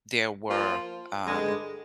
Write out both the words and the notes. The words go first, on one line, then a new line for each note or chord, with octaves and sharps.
there were, um,
F3 A#3 F4
G2 D3 G#3